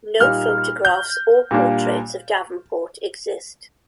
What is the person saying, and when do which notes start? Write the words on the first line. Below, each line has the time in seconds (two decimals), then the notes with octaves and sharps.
No photographs or portraits of Davenport exist.
0.20 A#2 G3 A#3 D#4 F6
0.85 G6
1.51 A#2 G3 A#3 D4